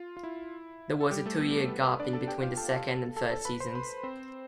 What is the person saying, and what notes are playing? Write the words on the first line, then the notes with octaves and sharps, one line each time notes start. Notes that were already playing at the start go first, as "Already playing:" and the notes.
There was a two-year gap in between the second and third seasons.
Already playing: F4
F4
E4
A4
G3 G4
A3 A4
B3 B4
D4 D5
A4 A5
G4 G5
F4 F5
A4 A5
A4 A5
A4 A5
B4 B5
C5 C6
B4 B5
C4 C5